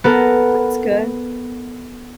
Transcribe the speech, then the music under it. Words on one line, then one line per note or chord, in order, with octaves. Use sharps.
That's good.
B3 A4 A#4